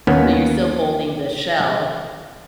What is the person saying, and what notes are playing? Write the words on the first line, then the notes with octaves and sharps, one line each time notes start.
So, you're still holding the shell,
D#2 D#3 A#3 B3 C#4